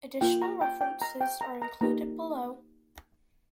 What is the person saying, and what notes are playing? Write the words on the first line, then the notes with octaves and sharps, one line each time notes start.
Additional references are included below.
A#3 F4 G5
A#5
G5
G5
A#5
G5
A#5
A#5
A#3 D#4 G4 A#5